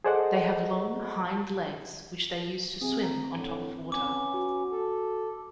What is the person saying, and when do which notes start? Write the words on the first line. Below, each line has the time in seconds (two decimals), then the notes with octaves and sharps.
They have long hind legs which they use to swim on top of water.
0.04 G#4 A4 C5 D5 D#5 F#5
2.81 C3 C4 G#4 D#6
3.03 A#5
3.33 A2 D3
3.92 B3 C#4 D6
4.34 F#4
4.72 A4